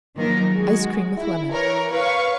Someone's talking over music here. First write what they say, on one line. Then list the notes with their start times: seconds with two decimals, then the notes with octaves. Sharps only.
Ice Cream with Lemon.
0.16 D#3 F3 F#3 A#3 D#4 A#4
0.51 G#3 F#4
1.18 E4
1.50 E3 A#4 C#5
1.92 B4 C#5 F5 C#6